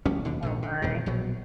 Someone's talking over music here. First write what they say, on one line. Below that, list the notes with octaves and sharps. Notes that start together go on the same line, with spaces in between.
Oh my.
D1 A#1 G3 C#4
D#2 B2 D3
A#1 G#2 D3
D3
D#1 E2 C3
A#1 B2 F#3